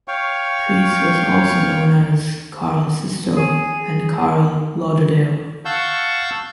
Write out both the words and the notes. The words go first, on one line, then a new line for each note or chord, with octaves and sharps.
Preece was also known as Carl Sisto and Carl Lauderdale.
C#5 F5 G5 C#6
G#4
F5 F#5 A5 C#6 E6 G6